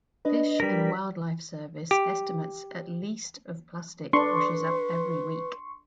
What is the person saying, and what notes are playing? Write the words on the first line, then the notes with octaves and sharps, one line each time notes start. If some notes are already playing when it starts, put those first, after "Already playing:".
Fish and Wildlife Service estimates at least of plastic washes up every week.
D4 B4 D#5
G3 A#4 B6
G4
D4 B4 C6 C#6